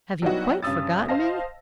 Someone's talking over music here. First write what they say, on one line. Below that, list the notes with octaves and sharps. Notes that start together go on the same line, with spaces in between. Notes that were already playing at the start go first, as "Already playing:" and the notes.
Have you quite forgotten me?
F#3 G3 B3 D#4 E4 F#4
G2 C#3 C#4 D#6 E6 A6
C5 D#5 F5 A5 A#6